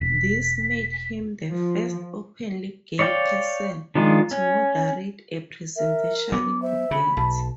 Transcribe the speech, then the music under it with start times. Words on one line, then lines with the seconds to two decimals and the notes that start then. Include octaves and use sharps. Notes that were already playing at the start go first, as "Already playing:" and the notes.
This made him the first openly gay person to moderate a presidential debate.
0.01 E1 B6
1.50 F3
2.99 C#5 D5 F5 G5
3.95 D#3 F3 G#3 D4 F4
4.31 C#4
5.76 A#4 E5
6.32 F#3 B3 D6
6.62 C5 E5
6.91 C#3 B5
7.17 B1 A5